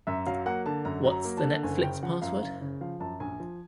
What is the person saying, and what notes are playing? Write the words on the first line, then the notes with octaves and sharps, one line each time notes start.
What's the Netflix password?
F#2 E5
F#3 F5
A#3 F#5
D3 A5
F#2 A#5
F#3
A#5
A#3
A5
D3
F#1 G#5
C#3 G5
F3 F#5
F#2 F5
F#1 F5
C#3
F3 F5
F#2 A5
A#1 G#5
F3